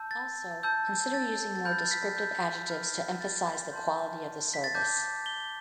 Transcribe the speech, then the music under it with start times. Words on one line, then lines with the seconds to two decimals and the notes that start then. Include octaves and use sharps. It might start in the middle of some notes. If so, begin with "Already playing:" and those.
Also, consider using more descriptive adjectives to emphasize the quality of the service.
Already playing: A5 E6 G6
0.11 A6
0.63 A5 E6 G6
1.14 A6
1.56 A6
1.65 B5 F6 G6
1.78 A6
1.91 B6
2.05 A6
2.17 G6
2.69 B5 F6
3.21 A6
3.71 A5 C6 G6
4.54 B6
4.64 A6
4.75 A5 D6 G6
5.26 G7